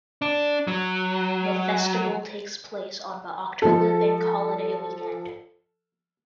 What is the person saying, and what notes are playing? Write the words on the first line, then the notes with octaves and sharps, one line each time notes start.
The festival takes place on the October Bank Holiday weekend.
D4
F#3
F3 A4